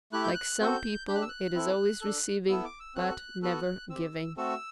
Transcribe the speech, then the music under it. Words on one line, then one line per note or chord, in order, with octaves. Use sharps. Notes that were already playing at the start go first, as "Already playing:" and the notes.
Like some people, it is always receiving but never giving.
A3 E4 G4 F#6
G6
F#6
C4 F#4 A4 G6
D4 G4 G6
F#6
E6
F#6
C4 E4 A4
D4 A4
B3 E4 A4 E6
D6
E6
C4 F#4 A4 F#6
B3 F#4 A4 F#6
C4 G4 E6
A3 C4 F#4 A4 E6